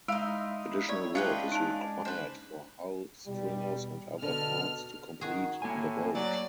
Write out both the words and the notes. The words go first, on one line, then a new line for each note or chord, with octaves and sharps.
Additional wood is required for hull stringers and other parts to complete the boat.
G#3 D#4 E4 F5 C6
C#5 D5
G#3 C#4 D4 F4 B4 E5 G5
D#4 A5
B4 C5
E2 B2 G3
B2 D3 A5 F6
D#3 F#4 G#4
A2 A#3 G#5
F#3 D5